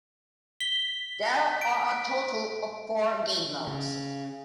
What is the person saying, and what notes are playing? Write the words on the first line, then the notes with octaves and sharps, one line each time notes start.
There are a total of four game modes.
B6 G7
D7
C#3